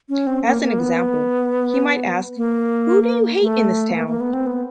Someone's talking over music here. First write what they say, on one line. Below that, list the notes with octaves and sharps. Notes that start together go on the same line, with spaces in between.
As an example, he might ask Who do you hate in this town?
C#4
C4
A#3
A#3
B3
A#3
A3
B3
A#3
A#3
B3
C4
B3